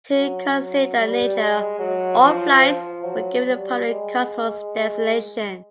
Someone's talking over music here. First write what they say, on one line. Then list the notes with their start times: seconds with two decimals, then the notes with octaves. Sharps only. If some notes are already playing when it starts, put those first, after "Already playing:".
To conceal their nature, all flights were given the public Kosmos designation.
0.12 F#3
0.53 F#3
0.95 G3
1.37 G#3
1.79 F#3
2.20 F3
2.62 F3
3.03 F#3
3.45 G3
3.87 G#3